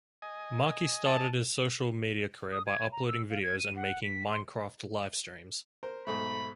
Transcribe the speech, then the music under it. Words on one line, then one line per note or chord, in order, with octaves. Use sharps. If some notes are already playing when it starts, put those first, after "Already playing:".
Marki started his social media career by uploading videos and making "Minecraft" livestreams.
D#5 G#5
A5
D#6
G#6
A#5
E6
F5
G#6
D#7
F#5
B6
C6
A#4 C5
B1 G#2 A3 B5